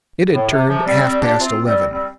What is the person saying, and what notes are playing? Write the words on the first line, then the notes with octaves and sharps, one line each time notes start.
It had turned half-past eleven.
A2
C3
C3 F3
G3 C4
G3 C4
D4 G4
C4 F4
G3 C4
G3 C4